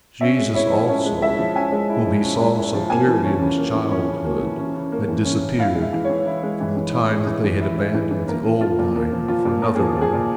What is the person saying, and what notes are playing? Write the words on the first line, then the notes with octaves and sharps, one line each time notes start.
Jesus also, Whom he saw so clearly in his childhood, had disappeared from the time that they had abandoned the old mine for another one.
C#4 E5
G#3
E4 C#5
F3
C#4 C#5
G#3
E4 E5
F3
C#4 G#5
G#3
E4
F3
C#4
G#3
E4
F3
A#3 G#5
E3
C#4
C#3
A#3
E3
C#4
C#3
A#3
E3
C#4
C#3
A#3
E3
C#4
C#3
E4 F5
G#3
E5
E3
E3 C#5
E4
G#3
E3
E3
E4
G#3
E3
E3
E4
G#3
E3
E3
A#3 A#4
F3
F4
A#2
A#3
F3
F4
A#2
A#3 A#4
F3 G#4
F4
G#4
A#2